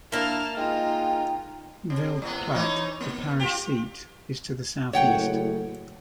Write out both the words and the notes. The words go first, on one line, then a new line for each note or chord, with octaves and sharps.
Ville Platte, the parish seat, is to the southeast.
A#3 D4 E4 A#4 A5 F6
G#3 D#4 F4 G5
C3
A2 C3 B3
E3 D#4 C#5
A#3
F4 G4
F#1 A2 C#5 F#5 G5